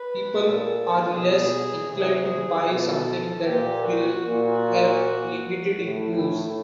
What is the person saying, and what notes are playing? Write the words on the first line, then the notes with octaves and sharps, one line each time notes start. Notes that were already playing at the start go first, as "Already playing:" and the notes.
People are less inclined to buy something that will have limited use.
Already playing: B4
A#2 A4
B2 G#4
C3 G#4
B2 A4
A#2 G4
F#4
A#2 F#4
A2